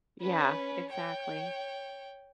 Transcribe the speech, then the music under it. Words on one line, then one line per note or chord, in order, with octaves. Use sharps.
Yeah, exactly.
C#4 B4
C#5 G5